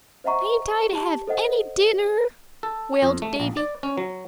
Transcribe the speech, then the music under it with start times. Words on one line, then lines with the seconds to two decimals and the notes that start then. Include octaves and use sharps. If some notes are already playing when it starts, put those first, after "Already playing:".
"Ain't I to have any dinner?" wailed Davy.
0.24 C5 D#5 E5 F#5 A#5 C#6
0.92 G4 A5
1.27 A4 C5 D#5 F#5
2.63 A4
3.02 F2
3.22 A3
3.40 A#1
3.57 D5
3.83 C#4
3.98 F#3